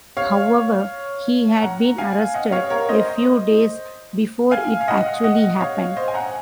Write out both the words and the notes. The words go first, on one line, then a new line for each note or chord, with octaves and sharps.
However, he had been arrested a few days before it actually happened.
C#5 F5
F#5 A#5
F5 G#5
D#5 F#5
C#5 F5
A#4 C#5
C5 D#5
F5 G#5
F5
D#5 F#5
D#5 F#5
C#5 F5
C5 D#5
G#5
F#5 A#5